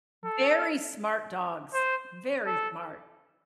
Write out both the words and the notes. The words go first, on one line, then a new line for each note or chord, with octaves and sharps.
Very smart dogs. Very smart.
A4
C5
A4